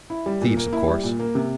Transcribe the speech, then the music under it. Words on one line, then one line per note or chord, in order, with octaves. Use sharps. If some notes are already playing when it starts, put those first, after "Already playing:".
Thieves, of course.
E4
G3
A#2
A#3
E4
G3
A#2
A#3
C3